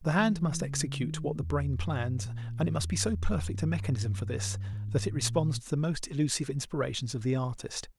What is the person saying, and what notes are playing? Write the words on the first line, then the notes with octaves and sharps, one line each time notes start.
The hand must execute what the brain plans and it must be so perfect a mechanism for this that it responds to the most elusive inspirations of the artist.
E3
C#3
D#3
E2
G2
A#2
G2
G#2
E2
G2
E2
G2
G#2
A#2